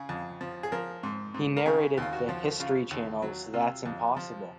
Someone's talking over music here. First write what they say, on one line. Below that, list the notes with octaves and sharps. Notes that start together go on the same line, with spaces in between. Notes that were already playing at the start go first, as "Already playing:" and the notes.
He narrated the History Channel's "That's Impossible".
Already playing: C#3 G#4
F2
F3
G#4
F3 A#4
G#2
G#2
A#4
C#3 G#4
D#2 F4
F#4
F3
C#3 F4
D#2
F#3
C3 F4
F2
F3